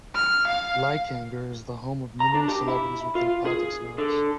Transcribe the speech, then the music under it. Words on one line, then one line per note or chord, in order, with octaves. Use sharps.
Leikanger is the home of numerous celebrities within politics and arts.
F6
F5
A#5
D4
G4
E4
F4
G#4
D3